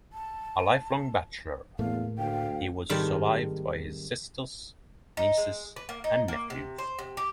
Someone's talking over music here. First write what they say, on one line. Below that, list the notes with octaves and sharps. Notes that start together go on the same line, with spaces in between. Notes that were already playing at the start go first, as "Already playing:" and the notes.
A lifelong bachelor, he was survived by his sisters, nieces and nephews.
A5
E2 A2 A3 A#3 F5
D2 F5 G5
G#2 C3 D#3 G3 A3
D#4
G#3
B4
A#3
D#4
A#3
C3
C5
C3
G4